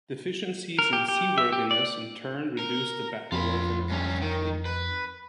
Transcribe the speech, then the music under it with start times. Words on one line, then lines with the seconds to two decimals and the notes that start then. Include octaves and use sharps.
Deficiencies in seaworthiness in turn reduced the battle-worthiness of the fleet.
0.79 A#4
0.93 G4
1.08 G4
1.38 E5
1.53 G4
1.71 D5
2.59 A#4
3.32 F2 F4 B5
3.90 G2 C#4
4.22 D#3
4.65 B4